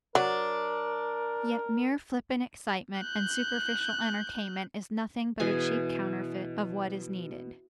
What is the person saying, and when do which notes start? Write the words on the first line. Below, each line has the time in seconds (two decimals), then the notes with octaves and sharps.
Yet mere flippant excitement and superficial entertainment is nothing but a cheap counterfeit of what is needed.
0.15 F#3 D4 A#4
2.99 F#6 G6
5.40 B2 E3 G#4 G#5